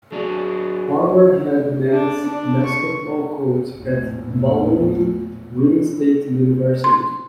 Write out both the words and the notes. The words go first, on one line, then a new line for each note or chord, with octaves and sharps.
Former head men's basketball coach at Bowling Green State University.
F#3 D4 G#4
D4
D4
C#6
A#1 E2 A2 A3
C6